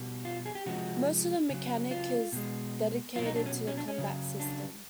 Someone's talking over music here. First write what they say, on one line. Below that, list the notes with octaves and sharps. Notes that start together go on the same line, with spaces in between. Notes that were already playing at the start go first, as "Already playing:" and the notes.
Most of the mechanic is dedicated to the combat system.
Already playing: B2 G3
F4
G#4
G4
C3 F3 G#3 F#4
C#3 F#3
F4
B2 G#3
B2 F#3 F4
D#4
D4
C#4
C#4
D4
C#4
C#3 F#3
D4